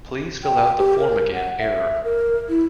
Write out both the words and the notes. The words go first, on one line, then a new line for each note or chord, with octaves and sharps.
Please fill out the form again error.
G5
G4
A#4
F#5
E5
A#4
E4